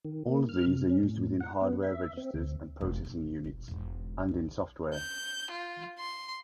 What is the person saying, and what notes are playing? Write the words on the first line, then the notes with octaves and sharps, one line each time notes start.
All of these are used within hardware registers and processing units, and in software.
D#3
A#3
F6
C3
C#4
A2
F#5
B3
E5
C4
D2
E1
A#1 D3
F1 B1
E1 G#2
B1 E3
G6
F4
C6